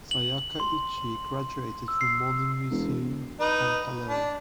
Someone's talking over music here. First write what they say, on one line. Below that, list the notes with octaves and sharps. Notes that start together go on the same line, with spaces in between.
Sayaka Ichii graduated from Morning Musume and Hello!
F#7
C6
E6
C7
E1
D#4 B4
D4